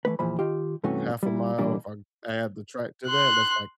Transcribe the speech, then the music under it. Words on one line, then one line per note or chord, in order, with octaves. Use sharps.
half a mile, if I add the track to that, that's, like
E3 G#3 A3 B4
E2 A#2 E3 F3 C5 B5
D#3 F4 G4
G2 C3 E3 A3 C#4 F#4
G3 E4
B2 E3 G3 A#3 D4
C6 F#6